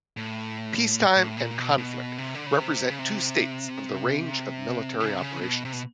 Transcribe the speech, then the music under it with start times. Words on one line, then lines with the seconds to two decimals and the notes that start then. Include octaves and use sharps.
Peacetime and conflict represent two states of the range of military operations.
0.17 A2
1.17 A2
1.37 A#2
1.58 B2
1.78 B2
2.18 C3
2.34 D3
2.47 C#3
2.59 C3
2.90 C#3
2.99 C3
5.00 C#3
5.10 C3
5.21 C#3
5.41 B2
5.65 C3
5.73 B2